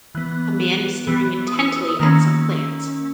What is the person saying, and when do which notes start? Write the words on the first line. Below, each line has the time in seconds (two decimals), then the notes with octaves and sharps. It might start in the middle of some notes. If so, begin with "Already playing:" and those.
A man is staring intently at some plants.
0.15 E3 B3 F#6
1.07 E3 B3
1.48 D#6
1.54 E6
1.65 E6
1.76 E6
1.88 D#6
1.99 D#3 A#3 C#4 E6